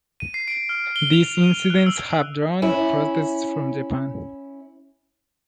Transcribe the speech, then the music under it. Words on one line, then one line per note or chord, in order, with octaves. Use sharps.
These incidents have drawn protests from Japan.
D#7
C7
D7
F6
G7
F7
D#7
F#6
E6
C#4 E4